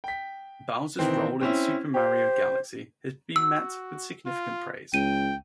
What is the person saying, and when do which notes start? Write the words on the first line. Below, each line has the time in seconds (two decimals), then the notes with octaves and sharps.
Bowser's role in "Super Mario Galaxy" has been met with significant praise.
0.04 G5 B6
0.99 D#3 E3 C4
1.41 C4 C#4 E4
1.94 G4 C5
3.36 F#4 E6
4.26 F4
4.94 C#2 G5 D#7